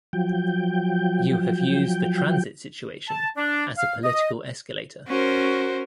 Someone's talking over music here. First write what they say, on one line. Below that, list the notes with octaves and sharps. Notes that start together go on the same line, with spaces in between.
You have used the transit situation as a political escalator.
F3 F#3 G5
A5
D4
F5
D#5
C#4 F#4 A#4 C5